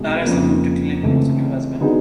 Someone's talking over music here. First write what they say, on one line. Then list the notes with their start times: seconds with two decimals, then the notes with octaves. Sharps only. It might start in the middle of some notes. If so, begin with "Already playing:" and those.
Alice had moved to Cleveland with her new husband.
Already playing: C2 B2 G#3
0.25 F2 C#3 F3 A#3
1.03 C#2 C3 E3 A3
1.81 D3 F#3 B3 D#4 G#4